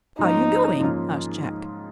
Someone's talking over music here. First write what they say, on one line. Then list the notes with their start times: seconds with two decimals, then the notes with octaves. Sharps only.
"Are you going?" asked Jack.
0.19 G#2 F3 A#3 C#4 D#4 F4
0.80 G#2 F3 A#3 C#4 F4